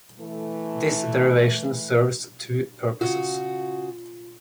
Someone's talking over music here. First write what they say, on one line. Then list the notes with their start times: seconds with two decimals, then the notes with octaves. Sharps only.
This derivation serves two purposes.
0.19 E3 A3
3.01 C#3 F4 F#4